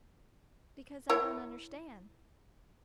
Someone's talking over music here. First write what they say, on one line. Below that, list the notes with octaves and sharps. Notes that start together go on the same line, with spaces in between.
"Because I don't understand."
E4 A#4 C#5